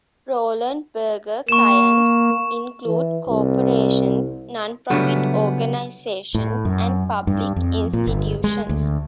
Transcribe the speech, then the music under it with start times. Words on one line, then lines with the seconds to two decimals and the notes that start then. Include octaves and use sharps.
Roland Berger clients include corporations, non-profit organizations and public institutions.
1.49 A#3 C#6 E7
2.86 E3
3.28 C2
4.90 C#3 F#3 G3 A3 B3 D4
6.35 A2
6.65 F#2
7.27 G2
7.56 F2
7.93 A#2
8.07 G1
8.44 G#3
8.69 D2